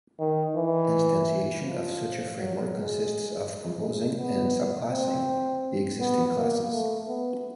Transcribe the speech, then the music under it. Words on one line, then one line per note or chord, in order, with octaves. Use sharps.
Instantiation of such a framework consists of composing and subclassing the existing classes.
D#3
E3
F3
F#3
G#3
G#3
B3
C4
B3
A#3
A3
B3